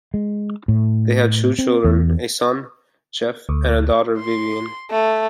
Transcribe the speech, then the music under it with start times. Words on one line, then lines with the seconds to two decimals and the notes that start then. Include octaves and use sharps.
They had two children, a son, Jeff, and a daughter, Vivien.
0.14 G#3
0.68 A2
1.59 C4
1.84 E2
3.49 D2
4.18 C6
4.91 A3